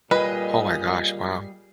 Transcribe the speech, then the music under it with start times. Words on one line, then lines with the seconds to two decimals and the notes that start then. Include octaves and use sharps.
Oh my gosh, wow.
0.11 A#2 G3 G#4 B4 D#5